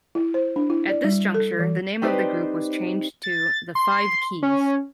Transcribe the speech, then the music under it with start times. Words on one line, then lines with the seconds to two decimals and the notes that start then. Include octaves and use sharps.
At this juncture the name of the group was changed to The Five Keys.
0.15 E4
0.34 C5
0.56 D4
0.70 E4
0.89 D5
1.04 G3
1.34 A4
1.59 E3
2.02 C4 D#4 G4 B4 C5 D5
3.23 A6
3.75 C6
4.43 C#4